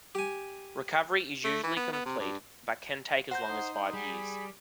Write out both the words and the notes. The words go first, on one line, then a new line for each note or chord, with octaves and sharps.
Recovery is usually complete, but can take as long as five years.
G4 G#5
A3
E3
B3
B3
C3
G2
C5 F#5 A#5 G6
D#4 C6 D#6
G3 G#4 B5